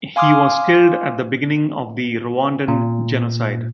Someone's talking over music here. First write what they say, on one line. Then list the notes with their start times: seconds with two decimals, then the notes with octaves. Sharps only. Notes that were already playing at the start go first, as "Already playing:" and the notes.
He was killed at the beginning of the Rwandan Genocide.
0.16 F5 G#5 C6 D6 D#6 F6
2.68 A#2